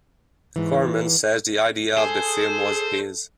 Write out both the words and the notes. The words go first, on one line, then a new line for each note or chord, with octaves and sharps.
Corman says the idea of the film was his.
G#2 E3
G#4 A4 C5